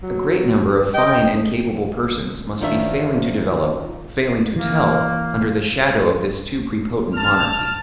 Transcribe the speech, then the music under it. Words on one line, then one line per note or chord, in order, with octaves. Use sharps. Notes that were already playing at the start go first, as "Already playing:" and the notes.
A great number of fine and capable persons must be failing to develop, failing to tell, under the shadow of this too prepotent monarchy.
F#3
D#5 G5
F#2 D#3 F3 D4 G4 E5
E3 A#3
A5 F6